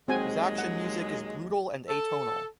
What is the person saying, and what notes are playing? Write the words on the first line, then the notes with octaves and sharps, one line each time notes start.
His action music is brutal and atonal.
D#2 F#3 G#3 C4 F#4 G#5
F#5
A4